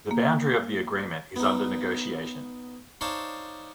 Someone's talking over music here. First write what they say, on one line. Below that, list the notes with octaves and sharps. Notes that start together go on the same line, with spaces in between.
The boundary of the agreement is under negotiation.
A#3
B3 D#4
D4 D#4 C5 C#5 F5 A5